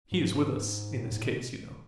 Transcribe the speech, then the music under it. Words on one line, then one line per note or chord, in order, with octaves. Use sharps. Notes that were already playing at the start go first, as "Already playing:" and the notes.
"He is with us in this case, you know."
G#2
A2
G#2
A2
B2